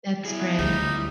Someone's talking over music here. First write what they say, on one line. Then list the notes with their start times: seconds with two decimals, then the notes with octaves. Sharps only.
That's great.
0.25 F#3 B3 E4 G#4
0.59 D2 G3 D#4